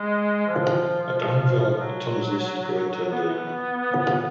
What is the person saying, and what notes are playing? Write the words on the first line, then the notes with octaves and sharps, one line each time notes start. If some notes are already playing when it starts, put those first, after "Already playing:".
At Danville, it turns east to go into Indiana.
Already playing: G#3
F3
F#3
B3